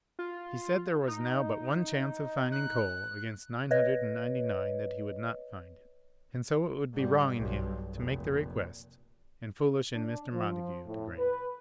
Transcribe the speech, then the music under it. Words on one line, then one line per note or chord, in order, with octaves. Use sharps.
He said there was now but one chance of finding coal against nine hundred and ninety nine that he would not find it, and so it would be wrong in him to make the request and foolish in Mr. Montague to grant it.
F4
D#4
F#6
B4 C#5 D#5
G#2 G3
B1 G2
F1 A#2
D4
F3
A2
B4